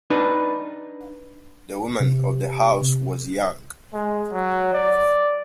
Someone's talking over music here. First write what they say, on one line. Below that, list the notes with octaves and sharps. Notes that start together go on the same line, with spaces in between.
The woman of the house was young.
D4 D#4 B4
C3
G#3
F#3
D5